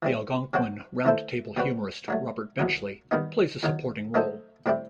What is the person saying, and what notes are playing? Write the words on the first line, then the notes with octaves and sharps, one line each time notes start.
The Algonquin Round Table humorist Robert Benchley plays a supporting role.
E3 G3 C4
C3 F#3 C4 F#4 C5
E3 A3 E4 A4 C5
B2 G3 C4 F#4 B4
G2 F#3 A3
C2 B2 F#3
G2 D#3 G3 B3 D#4
E2 D#3 F#3
F#3 A3 D#4 A4 C5
A2 G3 C4 E4 G4